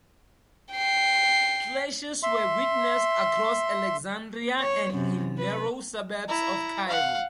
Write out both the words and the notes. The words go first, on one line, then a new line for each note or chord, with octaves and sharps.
Clashes were witnessed across Alexandria and in narrow suburbs of Cairo.
G5 C7
E5 C6
C#5
F#2 C3
B4
E4 A#5
F5 F#5